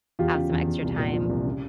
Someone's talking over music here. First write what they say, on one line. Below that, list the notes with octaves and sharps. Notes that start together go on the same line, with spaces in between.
have some extra time,
E2 F4 G4
C#3
E2
E2
C2
A#2
F3
C2
C#3